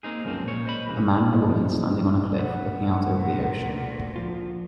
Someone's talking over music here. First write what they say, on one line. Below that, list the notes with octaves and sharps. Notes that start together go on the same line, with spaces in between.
A man and a woman standing on a cliff looking out over the ocean.
A#3 C4 D#4 G#4
C#2 F#2 C#3 F3 C4
A#2 C#5
C5 D#5 B5
C2 C#3 E3
D#4 F4 G#4 D5
F#3 B3 E4 F#4 C5 D#5
F3 A#3 C#4 D#4 E4
F4
A3 B4 F#5
D2 A#2
F3 F4